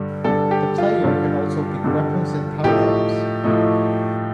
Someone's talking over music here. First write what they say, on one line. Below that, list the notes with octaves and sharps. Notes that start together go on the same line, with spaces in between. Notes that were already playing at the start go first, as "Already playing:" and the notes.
The player can also pick weapons and power-ups.
Already playing: G2 D3 G3
G2 D3 G3 A4
G4
F4
G2 D3 G3
G2 D3 G3
A2 F3 A3 D#4 G4
A2 F3 A3 D#4